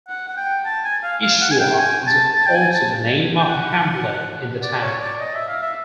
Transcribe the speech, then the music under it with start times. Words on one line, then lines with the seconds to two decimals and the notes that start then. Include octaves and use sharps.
Ischua is also the name of a hamlet in the town.
0.09 F#5
0.28 F#5
0.37 G5
0.65 A5
0.84 G#5
1.03 F5
1.22 F5
1.41 F#5
1.51 G#5
1.60 G5
1.79 G#5
2.07 A5
2.36 A5
2.46 G5
2.55 G#5
2.74 A5
3.40 G5
3.49 F#5
4.63 D5
4.82 C#5
5.01 D5
5.20 D#5
5.34 E5
5.48 F5
5.62 E5